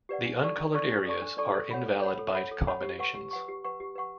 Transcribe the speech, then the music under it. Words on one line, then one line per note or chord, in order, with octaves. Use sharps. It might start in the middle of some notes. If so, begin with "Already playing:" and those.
The uncolored areas are invalid byte combinations.
G4 B4 D5 F#5
D4
A4 D5 A5 C#6
D4
A4 D5 A5 C#6
D4
A4 D5 A5 C#6
D4
A4 D5 A5 C#6
A4
C#5 F#5 B5
A4
C#5 F#5 B5
A4
C#5 F#5 B5
A4
C#5 F#5 B5
G4
B4 F#5 C#6
G4
B4 F#5 C#6
G4
B4 F#5 C#6
G4
B4 F#5 C#6